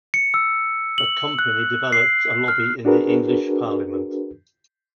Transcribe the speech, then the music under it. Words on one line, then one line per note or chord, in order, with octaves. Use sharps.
The company developed a lobby in the English parliament.
C#7
E6
F#7
F#6
C7
F6
D4 F#4 G#4 A#4 B4